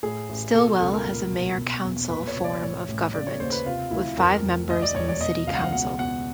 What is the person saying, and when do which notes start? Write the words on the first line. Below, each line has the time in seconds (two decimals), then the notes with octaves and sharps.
Stilwell has a mayor-council form of government, with five members on the city council.
0.03 A2 G#4
0.29 A1
0.54 B2 A4
0.68 A4
0.80 C#2 A4
0.94 A#4
1.06 A#2
1.33 B1
1.58 B2
1.84 E2
2.10 A#2 B4
2.27 C#5
2.37 C2
2.44 D5
2.62 A2 C#5
2.88 A1
3.13 C#3 D5
3.27 C#5
3.40 D#2 C5
3.52 B4
3.65 C3 F4
3.91 D2 E4
4.17 F2 A#4
4.43 F1
4.70 D2 D#5
4.82 D5
4.95 E1 C#5
5.08 D5
5.21 B2 D#5
5.47 C#2 F5
5.55 F#5
5.64 F5
5.72 B2 F#5
5.99 E2 F#5